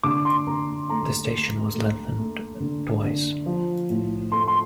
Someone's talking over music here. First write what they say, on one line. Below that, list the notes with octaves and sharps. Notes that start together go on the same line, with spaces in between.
The station was lengthened twice.
D3 D6
C6
D3 A#5
A3 A#5
A3
A3
A3
D3
D3
F3
A2
A3 C6
C6